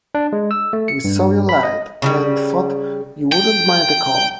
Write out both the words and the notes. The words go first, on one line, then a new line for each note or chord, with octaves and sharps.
We saw your light, and thought you wouldn't mind a call.
D4
G#3
E6
A3
C#7
G2
B5
D#5
C#3 E3 G3
G5